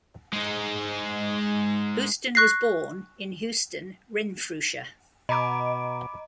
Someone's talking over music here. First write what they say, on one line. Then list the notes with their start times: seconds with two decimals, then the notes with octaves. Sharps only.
Houstoun was born in Houston, Renfrewshire.
0.33 G#3 D#4
2.35 C#6 F#6 A#6 C7
5.29 B2 D#5 A#5 B5 D6 D7